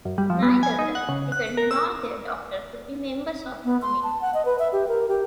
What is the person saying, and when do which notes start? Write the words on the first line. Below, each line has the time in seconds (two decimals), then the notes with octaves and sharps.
Neither the applicant nor their doctor could be members of the committee.
0.05 F#2
0.18 G3
0.30 F3
0.43 B3
0.63 G#5
0.79 D#4
0.95 F#5
1.09 C#3
1.32 F#6
1.57 A#4
1.71 E6
3.65 B3
3.82 C6
4.03 A5
4.21 F#5
4.34 D#5
4.45 B4
4.59 E5
4.73 G4
4.88 A#4
5.09 G4